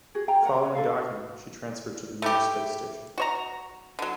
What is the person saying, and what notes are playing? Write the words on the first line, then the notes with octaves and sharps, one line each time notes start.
Following docking, she transferred to the Mir Space Station.
F#4 G#4
G5 G#5 A#5
A#4 D5 F#5 A#5
B4 C#5
D4 A4 E5 F5
F#4
A3 E4 G4
F#4 C#5 A#5
D3 F#3